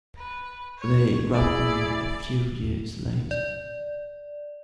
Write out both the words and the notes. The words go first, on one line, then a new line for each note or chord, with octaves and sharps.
They robbed me a few years later.
B4
C#5
E4 G#4 D5
D5